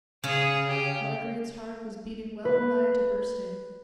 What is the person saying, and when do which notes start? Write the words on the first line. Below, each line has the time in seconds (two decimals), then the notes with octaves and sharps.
Marguerite's heart was beating well-nigh to bursting.
0.24 C#3 G#4 C#5
0.68 G4
2.45 B4